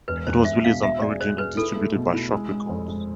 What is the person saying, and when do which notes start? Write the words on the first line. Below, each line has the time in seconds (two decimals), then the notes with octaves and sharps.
It was released on Origin and distributed by Shock Records.
0.08 E1 B4
0.27 E1 C5
0.45 E1 E5
0.64 B2 F5
0.83 B2 E5
1.02 G#4 D5
1.20 G#4 C5
1.38 G#4 B4
1.57 E4 A4
1.76 A3
1.96 B2
2.13 E4
2.33 G#3
2.51 G#3
2.69 F2
2.88 G#3